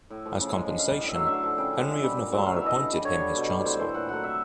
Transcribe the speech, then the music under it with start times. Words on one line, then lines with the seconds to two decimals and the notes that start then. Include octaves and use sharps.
As compensation, Henry of Navarre appointed him his chancellor.
0.10 A2
0.25 F3 A3
0.40 C#3
0.55 F3 G#3
0.69 D3
0.79 G3 F5
0.99 A2 D#5
1.08 E5
1.14 F#3 A3 F5
1.26 D3 E5
1.34 F5
1.43 F3 A3
1.58 C#3 G5
1.73 F3 G#3
1.87 D3 E5
2.03 G3
2.17 A#2
2.32 F#3 A3
2.46 C#3 F5
2.56 E5
2.61 E3 A3 D#5
2.76 D3
2.91 G3
3.05 D3 C#5
3.20 G3
3.36 B2
3.49 G3
3.65 A2 C5
3.79 E3 A3 C5
3.94 A#2 F#5
4.09 F#3 A3 F#5
4.23 C3 E5